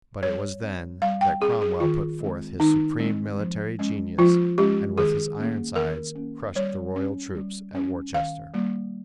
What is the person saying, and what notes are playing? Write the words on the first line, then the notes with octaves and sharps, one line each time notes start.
But it was then that Cromwell put forth his supreme military genius and with his Ironsides crushed the royal troops at Worcester.
G3 C#5
C4
G3 F5
G5
C4 G#4
G#4
D#3 F4
G#3 C4
D#3 D#4
G#3 C4
F3
G#3 C#4
F3 F4
G#3 C#4 G4
D#3 G#4
A#3 C#4
D#3 A#4
A#3 C#4
G3 C#5
C#4
G3
C#4
D#3 F5
G3 A#3